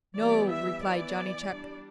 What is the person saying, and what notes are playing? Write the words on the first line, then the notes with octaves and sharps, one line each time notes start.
"No," replied Johnny Chuck.
E3 G3 B3 D5
E5
E3 B3 E4 D5
G3 D4